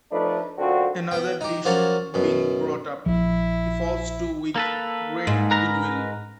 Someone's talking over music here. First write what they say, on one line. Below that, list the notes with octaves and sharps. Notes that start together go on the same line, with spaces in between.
Another dish being brought up, he falls to with great goodwill.
F3 A3 D4 D#4 A4 B4
F#2 D3 C4 F4 F#4
B3 G5
D#4 G4
F3 F#3 A#3 C#4 A4
F#2 B2
A#1 F3 E4
A#3 A4 B4
G#2
A#4 B4 A#5